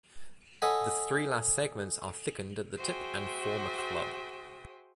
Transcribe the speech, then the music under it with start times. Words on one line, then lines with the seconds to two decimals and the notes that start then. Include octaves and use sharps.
The three last segments are thickened at the tip and form a club.
0.62 A4 C#5 D#5 F#5 G#5 B5
2.77 F#4 G#4 C5 E5 G5 D#6